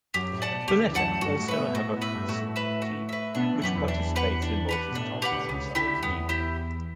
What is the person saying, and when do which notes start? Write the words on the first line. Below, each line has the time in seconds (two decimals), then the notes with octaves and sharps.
Valletta also have a futsal team which participates in Malta's top futsal league.
0.14 F#2 F#3 G4
0.32 A2
0.42 D5 F#5 A5
0.50 B2
0.68 D2 D3 G4
0.90 E3
0.94 F#2 F#3 D5 F#5 A5
1.10 A3
1.21 G2 G3 F#4
1.36 G3
1.39 A2 A3
1.48 B4 E5
1.57 B2 B3
1.67 B3
1.75 A2 A3 F#4
1.88 A2 A3
1.96 B3
2.01 A2 A3 B4 E5
2.15 G2 G3
2.28 A2 A3 F#4
2.56 B4 E5
2.82 F#4
3.09 B4 E5
3.35 B2 B3 D4
3.55 E3
3.62 F#2 F#3 G4 B4 F#5
3.75 E2 E3
3.88 D4
4.16 G4 B4 F#5
4.42 D4
4.69 G4 B4 F#5
4.91 B2
4.95 A2 D4
5.06 A2
5.14 B2
5.22 G4 B4 F#5
5.31 D2 D3
5.48 C#2 C#3 B3
5.75 D2 D3 E4 G4
6.02 E2 E3 B3
6.29 E4 G4